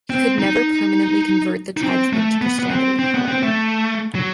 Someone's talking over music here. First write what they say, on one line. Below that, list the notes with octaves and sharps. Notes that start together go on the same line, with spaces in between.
He could never permanently convert the tribesmen to Christianity, however.
C4
D#4
D#4
C4
A3
B3
B3
C4
C4
B3
C4
A3
F#3